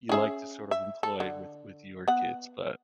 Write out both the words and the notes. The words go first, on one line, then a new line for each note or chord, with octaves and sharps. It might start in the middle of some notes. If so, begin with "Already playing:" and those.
you like to sort of employ with with your kids, but
C#4 G#4 E5
E5
A4
D3
B3 F#5